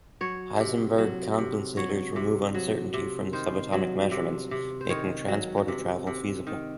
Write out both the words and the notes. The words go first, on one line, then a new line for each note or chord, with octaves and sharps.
Heisenberg compensators remove uncertainty from the subatomic measurements, making transporter travel feasible.
F#3 C#5
C3
F#3
C3
F#3 C#5
C3
F#3
C3
D#3 C5
F#3
C3
C3
C5
D#3 C#5
F#3
C3
C3
D#3